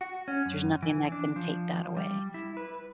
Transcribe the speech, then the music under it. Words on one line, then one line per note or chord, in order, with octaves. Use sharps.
There's nothing that can take that away,
F#4
C#4
F#2
E3
D4
F3
G3
E4
B4